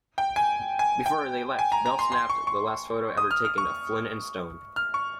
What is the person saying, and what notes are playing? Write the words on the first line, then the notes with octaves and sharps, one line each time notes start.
Before they left, Bell snapped the last photo ever taken of Flynn and Stone.
G5
G#5
G#5
G5
G#5
A#5
A#5
C6
C6
C#6
C#6
D#6
F6
F6
C#6
F6
C#6